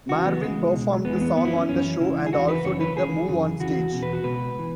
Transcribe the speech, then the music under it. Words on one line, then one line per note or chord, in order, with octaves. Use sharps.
Marvin performed the song on the show and also did the move onstage.
C#2 C#3 E3 F#4
B3
C#2 C#3 E3 G#3
C#2 B2
E2 E3 B3
G#3
B3
F#2 E3 B3
E4
C#4
F#2 E3 C#4
C#2 C#3 E3 E4
G#4
E2 C#3 E3 F#4
B4
F#2 C#3 E3 C#5
B4
C#2 C#3 E3 G#4
F#2 C#3 E3
E2 C#3 E3 F#4
E2 B2
B4
F#4
C#2 B2 B4
E3